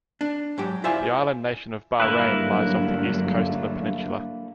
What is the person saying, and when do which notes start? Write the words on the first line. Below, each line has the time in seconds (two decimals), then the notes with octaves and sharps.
The island nation of Bahrain lies off the east coast of the peninsula.
0.21 D4
0.58 G#2 F#3 G4
0.84 E4 F4 C5 D5 E5 G#5
2.00 G2 D3 F#3 A3 A#3 E4 B4